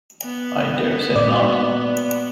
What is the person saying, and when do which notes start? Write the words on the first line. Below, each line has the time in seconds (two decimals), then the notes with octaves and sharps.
I dare say not.
0.24 B3
1.16 A#2 F#4 D5